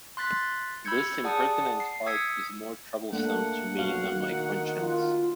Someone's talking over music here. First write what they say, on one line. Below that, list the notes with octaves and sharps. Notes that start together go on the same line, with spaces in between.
This impertinent heart is more troublesome to me than my conscience.
C6 F#6 A6 B6
B5 E6 G6 G#6 C#7
G#4 D5 F#5 A5 D#6
C7
D#6 E6 G#6 B6 C#7
A3 A#3 D4 F#5
B1 F#4 F5
D#3
F4